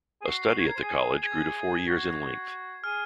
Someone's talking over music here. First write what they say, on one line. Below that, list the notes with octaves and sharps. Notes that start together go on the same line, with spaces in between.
A study at the college grew to four years in length.
G#4
F#4 C7
F#4 G#6
A#4
C5
G#4
G#4 G#6
F#4
F#4
G#4 F6